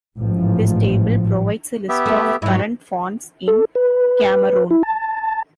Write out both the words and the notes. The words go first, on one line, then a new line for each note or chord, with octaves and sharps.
This table provides a list of current Fons in Cameroon.
A1 G#2 F3
B3 G4 E5
A3 A4
G#2 F#3 E4
A4
B4
E4
A5